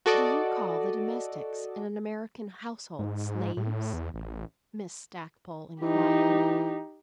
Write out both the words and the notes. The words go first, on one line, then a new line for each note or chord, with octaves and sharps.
"Do you call the domestics in an American household 'slaves'?" Miss Stackpole enquired.
F#4 A4 D5 D#5
G#2
A2
E2
A1
E3 D#4 G4